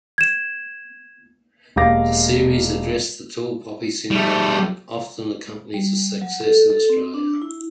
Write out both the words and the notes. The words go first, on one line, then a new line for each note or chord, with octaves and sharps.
The series addressed the tall poppy syndrome that often accompanies success in Australia.
G#6 E7
E1 A#3 G4 F5 D6 A#6
G3 A3
G3
F#3
A4
A4
C4
D4
E4